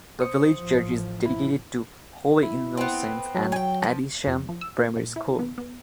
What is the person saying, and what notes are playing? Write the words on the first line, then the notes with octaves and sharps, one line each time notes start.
The village church is dedicated to "Holy Innocents" and Adisham primary school.
C5 D#6 C#7
A1 F3
E4
E4
B3 C4
F#3
G5 G#5
F3
F2
F3
E6
A#2
A#2
E4
B3
B3